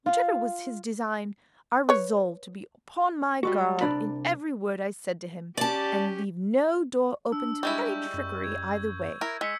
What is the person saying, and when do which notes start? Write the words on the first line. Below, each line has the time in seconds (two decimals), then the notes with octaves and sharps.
Whichever was his design, I resolved to be upon my guard in every word I said to him, and leave no door open to any trickery either way.
0.06 F4
1.89 B4 C#5
3.43 G3 G#3 F#4
3.81 C2 D4 D5 B5
5.57 C#4 G4 D5 A5
7.32 D4 E6
7.63 G3 G#3 E4 C#6 G6
8.14 F#2
8.44 G#6
9.21 E4 A#4
9.41 G#3 E6 B6 C#7